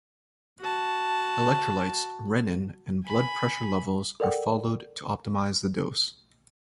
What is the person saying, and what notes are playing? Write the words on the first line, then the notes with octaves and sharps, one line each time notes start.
Electrolytes, renin, and blood pressure levels are followed to optimize the dose.
F#4 A5
G#5 B5
A4 A#4 D5 F#5 G5